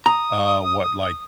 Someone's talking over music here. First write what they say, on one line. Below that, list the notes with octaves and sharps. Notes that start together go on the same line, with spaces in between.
uh, what, like,
A#5 D#6